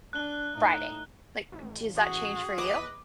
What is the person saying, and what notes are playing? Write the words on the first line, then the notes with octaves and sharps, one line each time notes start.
Friday." Like, does that change for you?
D4 F#6 G7
A2 D#4
A1
F#4 G#4
E2 B4 D#5 D6